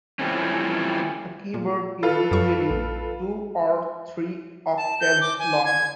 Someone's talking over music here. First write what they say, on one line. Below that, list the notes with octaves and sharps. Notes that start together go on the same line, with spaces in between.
The keyboard is usually two or three octaves long.
E3 F3 G3 A3 C4 C#4
A#2
F4 A4 B4
F#2 C#6
A#1
A5
G6
D6
G#5
G#6